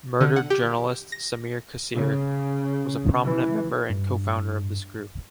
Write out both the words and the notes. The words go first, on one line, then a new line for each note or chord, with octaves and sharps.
Murdered journalist Samir Kassir was a prominent member and co-founder of this group.
D3
F#5
G4
A#6
C#3
E3
G2